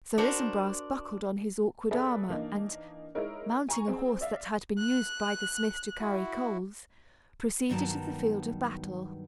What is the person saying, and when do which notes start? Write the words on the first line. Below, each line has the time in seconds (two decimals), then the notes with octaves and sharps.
Sir Isumbras buckled on his awkward armor and, mounting a horse that had been used by the smith to carry coals, proceeded to the field of battle.
0.18 D4 F#4 A#4 C5
1.91 G#4 A4 B4 D5 E5
2.29 E3 A#3 D4 D#4
3.15 G#3 D#4 E4 A#4 C#5
3.69 G#5 A#5 C#6
3.88 C4 G#4
4.21 D5 E5 F5
4.78 F#6
6.01 E4 F#4
7.69 G2 B2 D#3 F#3 B3 A5